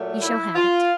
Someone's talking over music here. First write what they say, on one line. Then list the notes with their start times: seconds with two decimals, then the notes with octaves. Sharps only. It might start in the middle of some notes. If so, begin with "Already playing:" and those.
"You shall have it."
Already playing: A#2 F#3 A3
0.20 E4
0.56 F4